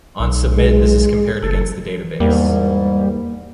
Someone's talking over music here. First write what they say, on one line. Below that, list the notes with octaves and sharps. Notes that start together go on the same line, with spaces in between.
On submit, this is compared against the database.
B1
G#3
F#1 A4
E2 G#2 G3 A#3